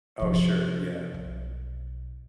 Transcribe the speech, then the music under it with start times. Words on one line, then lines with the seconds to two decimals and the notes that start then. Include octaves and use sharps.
Oh, sure. Yeah.
0.20 C3 F3
1.14 B1